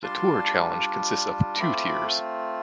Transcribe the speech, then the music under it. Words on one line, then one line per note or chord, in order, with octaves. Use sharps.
The Tour Challenge consists of two tiers.
G3 D4 F4 A5 C6
A3 C4 F4 B5 D6